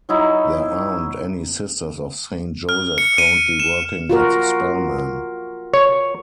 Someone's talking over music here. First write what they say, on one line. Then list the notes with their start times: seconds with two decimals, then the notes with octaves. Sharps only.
There aren't any Sisters of Saint Joseph currently working at Spellman.
0.09 F#3 D#4 E4
2.69 F6
2.98 C#7
3.18 D#7
3.60 E7
4.10 F4 F#4 A#4
5.74 C#5